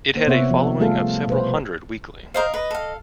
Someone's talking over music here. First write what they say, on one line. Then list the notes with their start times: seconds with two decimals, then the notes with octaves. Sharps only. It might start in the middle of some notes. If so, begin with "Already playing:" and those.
It had a following of several Hundred weekly.
0.15 A#3 C5
0.28 C3 B3 C#5 E5 F#5
0.50 F3
0.80 G3 A3 F4 G#4 A4 F5
1.28 B2 B4 C5
2.34 A#4 C5 D#5 F5
2.54 B4 D#5
2.71 A4 F5